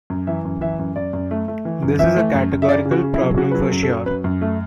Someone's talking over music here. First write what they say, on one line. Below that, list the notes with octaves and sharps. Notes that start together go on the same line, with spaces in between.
This is a categorical problem for sure.
F#2
E3 E5
F#2
E3 E5
F#2
F#2 D5
F#2
A3
A3
E3
F#2
E3 E5
A3
F#2
F#2
E5
C#3 D5
C#3
F#4
C#3
E4
F#3
C#3 F#4
F#3 B4
A4
F#2
A4
F#3
F#2 B4
F#2
A3